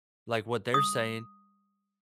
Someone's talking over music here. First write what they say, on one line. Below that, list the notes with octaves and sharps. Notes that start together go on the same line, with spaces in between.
like what they're saying,
D#6